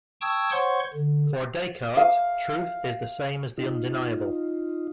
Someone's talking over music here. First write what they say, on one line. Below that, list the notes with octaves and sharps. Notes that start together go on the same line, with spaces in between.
For Descartes, truth is the same as the undeniable.
G5 A5 C#6 D#6 E6 G#6
C5 C#5 F#5 C6 C#6
D3
F5
D#4 F4